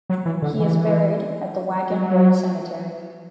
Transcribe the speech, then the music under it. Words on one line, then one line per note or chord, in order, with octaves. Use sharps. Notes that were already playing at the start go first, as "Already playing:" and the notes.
He is buried at the Waggon Road Cemetery.
F#3
E3
D3
E3
F#3